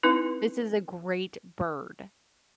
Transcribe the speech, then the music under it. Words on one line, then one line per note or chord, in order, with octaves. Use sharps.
this is a great bird.
C4 D#4 E4 B4